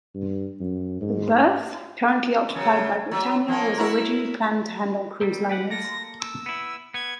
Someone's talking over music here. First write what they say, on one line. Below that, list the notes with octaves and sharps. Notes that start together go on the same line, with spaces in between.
The berth currently occupied by Britannia was originally planned to handle cruise liners.
G2
F#2
G#2
C#3 F#3
F#3
F3 A#3 C#4
E4 F#4 A#4
G3 A#3 C4
G4 B4 F#5
A#3 A4 A#6
E6
B3 E4
B3 G#6